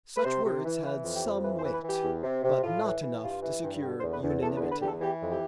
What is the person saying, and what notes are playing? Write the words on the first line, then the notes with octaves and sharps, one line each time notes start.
Such words had some weight, but not enough to secure unanimity.
B4
C3 C5
C3
E3
E3 B4
F2
G4
F2
E3 B4
C5
E3
B4
E3
G4
E2
C3
C3
A2 F4
E3
E3
G2 F4
E3
G2
D3 G4
C5
E2
B4
E2
A4
E2 A4
B4
D3
B4
E2 G4
A4
E3 G4
F2
G4